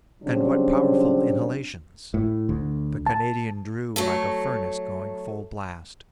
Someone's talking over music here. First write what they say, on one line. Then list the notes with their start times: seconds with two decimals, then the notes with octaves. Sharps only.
And what powerful inhalations! The Canadian "drew" like a furnace going full blast.
0.23 C#3 F#3 G3 C4 D4
2.14 A2
2.49 D2
3.06 A5
3.96 F#3 A3 A4